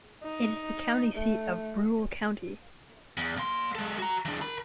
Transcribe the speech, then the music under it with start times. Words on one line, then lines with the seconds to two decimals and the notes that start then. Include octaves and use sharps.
It is the county seat of Brule County.
0.23 D#4
1.15 A3
3.17 E2
3.37 A#3 C6
3.75 G#3 A4
3.98 F#4 A#5
4.25 E3 D4
4.42 A#4 B5